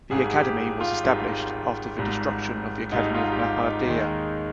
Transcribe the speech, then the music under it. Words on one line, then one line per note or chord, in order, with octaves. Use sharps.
The academy was established after the destruction of the academy of Nehardea.
G#1 G#2 G3 G#4
G4
G4
F4
G#1 G#2 G3
G#1 G#2 G3
G#1 G#2 G3 D#4
D#4
F4
G4
F4
D#4
D#2 D#3 G#3